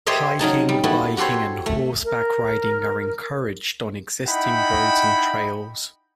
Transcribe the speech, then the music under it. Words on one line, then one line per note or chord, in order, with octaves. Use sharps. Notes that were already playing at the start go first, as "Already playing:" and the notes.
Hiking, biking and horseback riding are encouraged on existing roads and trails.
G4 A4 C5 C#5 D#5 E5
C#3 F#3 D#4 A5
G3
B3 E4 F#4 A4
F#4 G4 A4 C5 C#5
A3
A#4
D#4 E4 D#5 F#5 G5 B5